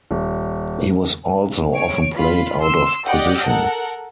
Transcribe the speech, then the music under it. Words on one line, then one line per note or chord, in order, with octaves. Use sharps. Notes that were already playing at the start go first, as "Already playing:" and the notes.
He was also often played out of position.
D#1
C#5 D7
F4 B5
C6 E6
G4 D5 D#5 F#5 G5
A4 A#4 F#5